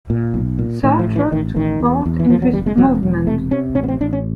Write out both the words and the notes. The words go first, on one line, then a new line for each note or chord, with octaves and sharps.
Sartre took part in this movement.
A#2
B1
A#2
A2 D#3
F3
A1
E3
A1 D#3
A1 D#3
E2
E2
E3
E2 F3
F#3
F#1 G3
G#3
E1 F#3
E1
C3 A3
C3 C#4
A1 C#4
B3
C4
A1 D4
C#4